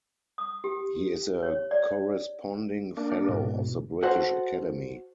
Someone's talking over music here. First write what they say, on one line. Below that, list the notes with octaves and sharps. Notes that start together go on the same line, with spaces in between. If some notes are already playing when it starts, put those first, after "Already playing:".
He is a Corresponding Fellow of the British Academy.
D#6
G4
C#5
D5
A#3 D4
G#2 B2
F#4 A4 C5 F#5